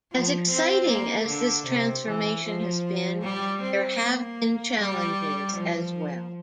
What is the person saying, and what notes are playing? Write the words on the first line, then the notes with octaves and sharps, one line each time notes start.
As exciting as this transformation has been, there have been challenges as well.
F3
C4
A#3
D3
C3
E3
F3
G3
C4
A#3
G3
F3